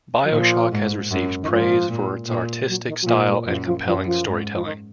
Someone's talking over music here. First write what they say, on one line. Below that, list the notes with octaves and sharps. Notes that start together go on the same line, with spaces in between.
"BioShock" has received praise for its artistic style and compelling storytelling.
F#3
A#2 F3
G#2
F#2
D#3
G#2 F3
A#2
A#2
F#3
D#3
F#3
A#2 F3
G#3
F#2 F3
F3
F#2 F3
F3
G#2
F3
D#3